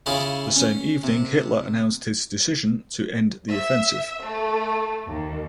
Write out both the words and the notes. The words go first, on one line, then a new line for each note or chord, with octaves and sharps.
The same evening Hitler announced his decision to end the offensive.
C#3 C#4 E4 F4 G#4
C#4
C3
E5
A3
D#2